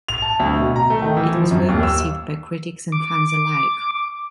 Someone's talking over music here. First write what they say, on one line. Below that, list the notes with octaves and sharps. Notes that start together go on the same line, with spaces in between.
It was well received by critics and fans alike.
F7
A5
D2
B2
A#5
A3
D#3
E3
F3
F#2
D#2
E6
D6